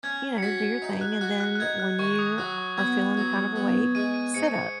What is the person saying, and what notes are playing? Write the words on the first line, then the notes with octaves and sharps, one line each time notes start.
you know, do your thing, and then when you are feeling kind of awake, sit up,
C#4 G#6
C#7
F#4 B6
D#4
F#6
F#4 F#6
F#6
F#6
D#4 G#6
F#6
D#3 C#6
C#6
D#6
F#3 F#6
B3 G#6
F#3
B3
G#3 D#7
D#7
G#2 C#7
C#7